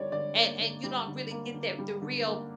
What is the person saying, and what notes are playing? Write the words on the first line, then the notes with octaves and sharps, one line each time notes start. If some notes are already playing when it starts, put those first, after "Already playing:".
and and you don't really get that the real
Already playing: D3 G3 C#5 D5
D3 D5
A#3
D3
G3
D3
A#3
D3
G3
D3
A#3